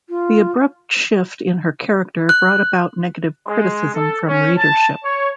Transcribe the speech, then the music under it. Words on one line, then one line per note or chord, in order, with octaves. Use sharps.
The abrupt shift in her character brought about negative criticism from readership.
F4
F#6
G#3
A4
C#4
A5
C#5